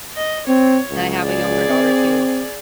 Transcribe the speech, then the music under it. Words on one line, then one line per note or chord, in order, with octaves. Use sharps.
and I have a younger daughter too.
D#5
C4 C#5
C#2
G#4 D5
C4